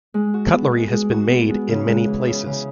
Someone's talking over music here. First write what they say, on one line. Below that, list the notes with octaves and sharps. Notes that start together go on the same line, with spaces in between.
Cutlery has been made in many places.
G#3
F#4
B3
G#3
G#3
F#4
B3
G#3
C#3
G#3
E3
C#3
C#3